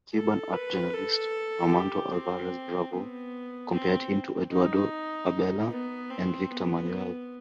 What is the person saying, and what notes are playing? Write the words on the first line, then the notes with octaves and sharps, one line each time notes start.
Cuban art journalist Armando Alvarez Bravo compared him to Eduardo Abela and Victor Manuel.
A4
B4
A4
G4
C4
B3
C4
D#4
B3
C4
B3